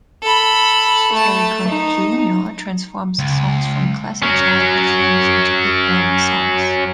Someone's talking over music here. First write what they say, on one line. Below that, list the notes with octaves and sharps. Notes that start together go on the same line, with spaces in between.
Harry Connick, Junior transforms songs from classic childhood films into big band songs.
A4 B5
A3 A5
D#4
C#2
F#3 C#4